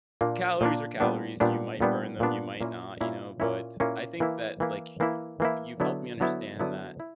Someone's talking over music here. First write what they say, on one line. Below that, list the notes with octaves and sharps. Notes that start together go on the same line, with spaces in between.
calories are calories, you might burn them, you might not, you know, but, I think that, like, y you've helped me understand that
A#2 A#3 D4
A#2 A#3 D4
A#2 G3 B3 D4
A#2 G3 B3 D4
A#2 G3 B3 D4
A#2 G3 B3 D4
A#2 A#3 C#4 E4
A#2 A#3 C#4 E4
A#2 A#3 C#4 E4
A#2 A#3 C#4 E4
E3 A#3 E4
E3 A#3 E4
E3 A#3 E4
E3 A#3 E4
D3 F#3 B3 E4
D3 F#3 B3 E4
D3 F#3 B3 E4
E4